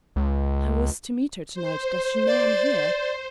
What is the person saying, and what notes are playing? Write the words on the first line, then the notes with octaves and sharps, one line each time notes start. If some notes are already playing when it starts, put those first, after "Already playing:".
"I was to meet her to-night; does she know I'm here?"
C#2
C5
D5